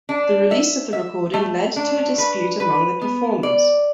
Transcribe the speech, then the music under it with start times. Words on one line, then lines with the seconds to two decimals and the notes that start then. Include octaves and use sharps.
The release of the recording led to a dispute among the performers.
0.09 D4
0.51 E5
0.93 E5
1.34 A3
1.76 D4
2.18 B4
2.60 B4
3.01 B3
3.43 D5